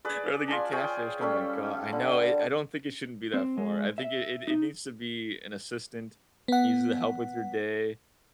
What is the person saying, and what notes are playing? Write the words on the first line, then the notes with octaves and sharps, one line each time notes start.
Or they get catfished. Oh, my go I know, it I don't think it shouldn't be that far, I think it it it needs to be an assistant, it needs to help with your day.
G#4 B4 D5
F4 D5 G#5 A5
G#4 C#5 G5
G3 C#4 A4 B5
D3
C4
G#3
E5
D#4
B3 F#5